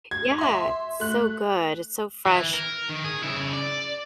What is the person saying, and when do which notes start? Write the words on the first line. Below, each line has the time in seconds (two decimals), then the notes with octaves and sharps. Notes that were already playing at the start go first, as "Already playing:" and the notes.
Yeah, it's so good, it's so fresh.
0.11 G#6
0.38 E5 C6
1.00 A3 F#6
2.26 E3
2.54 A#4
2.89 D#3
3.04 G#4
3.23 C#3 E4
3.53 D5